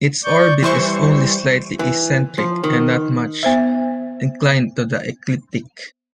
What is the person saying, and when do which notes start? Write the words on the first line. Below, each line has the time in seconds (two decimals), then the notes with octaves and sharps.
Its orbit is only slightly eccentric and not much inclined to the ecliptic.
0.24 D5 C#6 G6
0.63 E3 G3 C5 C#6
1.79 E3
2.38 F3
2.64 D#3
3.43 B3 C5 E5